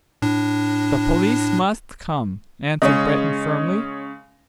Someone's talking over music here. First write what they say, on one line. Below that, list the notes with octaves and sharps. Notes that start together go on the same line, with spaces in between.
"The police must come," answered Breton firmly.
A2 D4
C#3 G#3 C#4 D#5